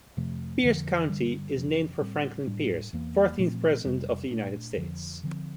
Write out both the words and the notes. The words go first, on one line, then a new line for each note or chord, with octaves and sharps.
Pierce County is named for Franklin Pierce, fourteenth President of the United States.
F2 C3 F3 A3
F2 D3 F3
G2 D3 G3
F2 C3 F3 C4
A2 G3 C4
A2 G3 D4
E2 E3 A#3
A#2 F3 A3 C4
F2 C3 G3
A#2 A3 D4
F2 D3 F3
D3 F3 C4